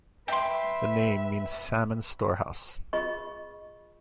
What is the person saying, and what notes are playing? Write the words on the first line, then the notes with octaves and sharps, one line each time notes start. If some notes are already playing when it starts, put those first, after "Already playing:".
The name means "salmon storehouse".
B4 E5 G5 C6
F4 G#4 D#5 C#6